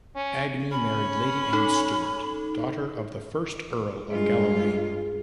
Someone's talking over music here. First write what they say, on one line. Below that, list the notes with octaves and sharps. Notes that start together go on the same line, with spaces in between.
Agnew married Lady Anne Stewart, daughter of the first Earl of Galloway.
C#4
C#4 B5
D#4 A4
G2 G#3 F4
G#4